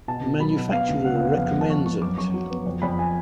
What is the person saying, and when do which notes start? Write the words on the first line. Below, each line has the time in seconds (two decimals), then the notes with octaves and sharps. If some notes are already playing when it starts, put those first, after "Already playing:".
The manufacturer recommends it.
0.08 B2 A5
0.24 B2
0.40 F#3 B5
0.57 B2
0.72 B3 F5
0.88 D2
1.04 C#3 F#5
1.16 F5
1.21 B3
1.26 F#5
1.37 F2 F5
1.45 F#5
1.53 G#3
1.61 A5
1.69 F2 C#6
1.85 G#3 C#6
2.02 F#2 D6
2.18 F#2 C#6
2.34 F#3
2.50 B3
2.66 F2
2.82 F2 B5
2.99 G#5